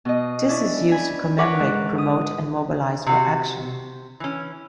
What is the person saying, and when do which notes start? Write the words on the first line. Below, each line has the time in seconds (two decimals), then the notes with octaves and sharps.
This is used to commemorate, promote and mobilize for action.
0.05 B2 D#5
0.48 C#4 D4 E4
0.92 G#5 B5
1.38 A#4 B4 C#5 F#5 D6
1.60 G#2
1.98 D#6
3.07 C3 F#4
4.20 E3 C#4